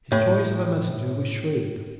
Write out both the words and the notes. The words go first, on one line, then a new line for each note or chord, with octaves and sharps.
His choice of a messenger was shrewd.
A2